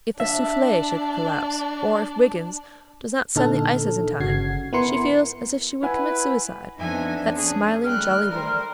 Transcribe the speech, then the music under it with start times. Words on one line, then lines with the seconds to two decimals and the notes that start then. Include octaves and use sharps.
If the SOUFFLE should collapse, or if Wiggins does not send the ices in time--she feels as if she would commit suicide--that smiling, jolly woman!
0.20 D4 E5
3.35 A#2 D3 D#4 A4 F6
4.20 G1 C#3 F#4 G#6 C7
4.73 B3 E4 A#4 B4 C6 C#7
5.83 E4 B4 F#5 G#5
6.79 F2 B3 D4 D#4 E5 G#5
7.35 C#4 G#4
7.84 D#3 G3 A3 G5 F6 F#6
8.31 A#4 C5